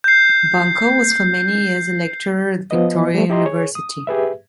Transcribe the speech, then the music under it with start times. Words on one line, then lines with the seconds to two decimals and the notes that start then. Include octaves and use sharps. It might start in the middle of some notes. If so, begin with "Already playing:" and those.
Bunkle was for many years a lecturer at Victoria University.
0.04 G6 C7
2.71 F3 B3 B4 D#5
3.15 G3 A3
3.30 E4 G4 D#5 A#5 C6
3.45 G#4 C#5
3.75 D#6
4.07 G4 G#4 B4 E5